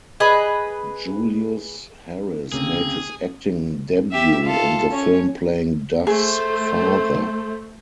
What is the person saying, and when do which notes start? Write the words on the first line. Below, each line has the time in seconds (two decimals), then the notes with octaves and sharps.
Julius Harris made his acting debut in the film playing Duff's father.
0.20 G#4 B4 D#5
2.52 D2 C#3 A#3 C4 G#4
4.12 G4 E5
4.44 F4 A4
4.91 C#4 C#5
6.07 A3 G#4 C5